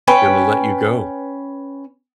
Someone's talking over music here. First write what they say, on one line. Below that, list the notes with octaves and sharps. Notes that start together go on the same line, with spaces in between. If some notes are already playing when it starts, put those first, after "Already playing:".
gonna let you go,
C#4 B4 G5